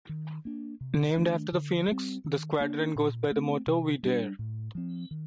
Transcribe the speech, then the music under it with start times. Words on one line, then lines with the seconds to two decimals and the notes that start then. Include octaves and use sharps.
Named after the Phoenix, the squadron goes by the motto "We Dare".
0.09 D#3
0.45 A#3 D4
0.81 C3
1.17 D#3 A3 D4
1.52 D3
1.88 G3 C4
2.24 D#3
2.60 A#3 D4
2.96 A#2
3.31 A3 C4
3.67 C3
4.03 G3 D4
4.39 A2
4.75 F3 C4
5.11 D#3